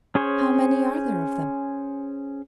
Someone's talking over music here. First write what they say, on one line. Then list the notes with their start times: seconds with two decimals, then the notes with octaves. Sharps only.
"How many are there of them?"
0.15 C#4 G#4 C5 C#5